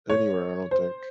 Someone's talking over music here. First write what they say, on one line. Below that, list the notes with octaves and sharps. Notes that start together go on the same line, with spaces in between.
anywhere, I don't think.
C#5
C5